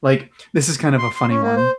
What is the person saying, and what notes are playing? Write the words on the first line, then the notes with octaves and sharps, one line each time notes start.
like, this is kind of a funny one,
C6
C6
C#4
A#3
C5